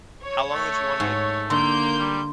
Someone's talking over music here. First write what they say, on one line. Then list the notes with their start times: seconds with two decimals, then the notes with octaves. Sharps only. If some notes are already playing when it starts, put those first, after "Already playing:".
How long would you wanna
0.24 C#5
0.53 A3
1.00 G#2
1.50 D3 A#3 C6 G6
1.99 G3